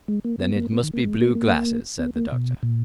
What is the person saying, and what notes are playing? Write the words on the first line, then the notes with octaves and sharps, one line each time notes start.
"Then it must be blue glasses," said the doctor.
G#3
A#3
B3
G#3
A#3
B3
D#3
A#3
G#3
A#3
A#3
B3
A#3
B2
A#2